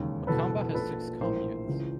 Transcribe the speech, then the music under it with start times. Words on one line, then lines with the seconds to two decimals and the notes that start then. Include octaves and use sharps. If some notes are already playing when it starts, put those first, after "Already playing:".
Makamba has six communes.
Already playing: E1 D#2 C#3
0.27 F#1 E2 B2 A4 B4
0.74 A#1 A#2 A4 B4
1.21 A#1 A2 E3 A#4 C5
1.68 C#2 C#3 E3